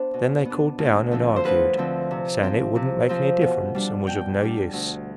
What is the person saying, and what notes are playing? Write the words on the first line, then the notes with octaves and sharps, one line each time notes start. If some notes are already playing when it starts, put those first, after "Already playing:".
Then they cooled down and argued, saying it wouldn't make any difference, and was of no use.
Already playing: B3 D4 C5 D5
B2
B3 D4
D2
D3 F3 C4
C5
D2 B4
D3 F3 C4
C3
F3 C4
C3
F3 C4
B2
G3 D4
B2 G5
G3 D4
D2